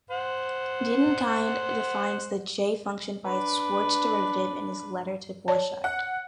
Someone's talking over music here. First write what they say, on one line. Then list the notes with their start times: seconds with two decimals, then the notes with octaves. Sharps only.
Dedekind defines the "j"-function by its Schwarz derivative in his letter to Borchardt.
0.11 C5 F#5
3.26 D4 B4
5.48 C#5 D5 A5
5.84 F#5